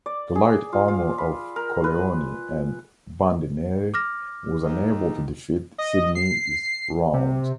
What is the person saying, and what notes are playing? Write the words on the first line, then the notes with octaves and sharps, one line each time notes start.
The light armour of "Colleoni" and "Bande Nere" was unable to defeat "Sydney"'s rounds.
D5
G#4
F4
F4
B5
A#4
B4
D6 F6 A#6
D#2 D#4
D#5
C7
C3